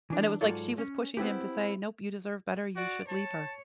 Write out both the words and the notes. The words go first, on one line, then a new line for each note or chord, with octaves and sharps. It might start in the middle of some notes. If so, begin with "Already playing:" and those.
And it was, like, she was pushing him to say, "Nope. You deserve better. You should leave her."
E3 D4
G#2 F#3 F4 A4 C#5 D5
C#4
B3 C4 E4 G4
F#4 D5
C#5 A5